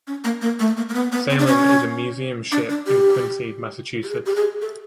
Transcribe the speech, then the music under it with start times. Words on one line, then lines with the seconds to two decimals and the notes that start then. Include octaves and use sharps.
"Salem" is a museum ship in Quincy, Massachusetts.
0.07 C#4
0.24 A#3
0.42 A#3
0.60 A3
0.77 A#3
0.89 A#3
0.94 B3
1.12 B3
1.30 C4
1.39 D4
1.47 C#4
2.52 D4
2.70 D4
2.87 G4
4.03 G4
4.09 G#4
4.26 G4
4.36 G#4
4.62 A4